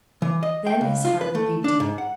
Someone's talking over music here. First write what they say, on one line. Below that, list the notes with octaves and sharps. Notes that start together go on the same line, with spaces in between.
Then his heart rebuked him.
E3
D#5
G5
C#2
F4
B4
A3
D4
G#2
F#5